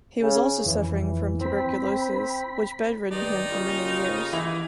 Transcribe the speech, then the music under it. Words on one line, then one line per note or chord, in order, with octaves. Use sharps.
He was also suffering from tuberculosis, which bed-ridden him for many years.
C#3
F2 E3
C4 B5
G2 D#3 D#4 G4 D5
C#3 A#3 F4
E3 E4 F7